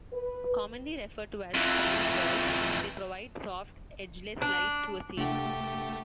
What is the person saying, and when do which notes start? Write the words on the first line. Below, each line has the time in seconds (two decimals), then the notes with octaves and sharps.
Commonly referred to as "China balls", they provide soft, edgeless light to a scene.
0.12 B4
1.54 F2 E3
4.42 D4
5.17 C3 A3 D4 G4 F#5